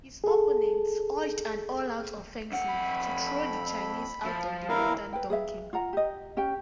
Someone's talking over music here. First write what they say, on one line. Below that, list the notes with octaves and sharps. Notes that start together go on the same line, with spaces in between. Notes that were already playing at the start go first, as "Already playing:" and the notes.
His opponents urged an all-out offensive to throw the Chinese out of northern Tonkin.
G#4 A4
F2 F#5
B5
F3
D#2 E3 E4 A#4 F5
B4 G5
G#4 B4 E5 F5
F4 F#5 A#5
G4 D#5
C#4 G4 G5